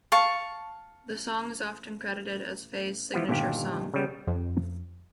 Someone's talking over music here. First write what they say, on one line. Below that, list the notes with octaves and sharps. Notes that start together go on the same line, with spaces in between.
The song is often credited as Faye's signature song.
F5 A5 C#6
E3 F3 B3
G1 G2 A#2 D#3 G3 G4
C#3 G3 B3
F2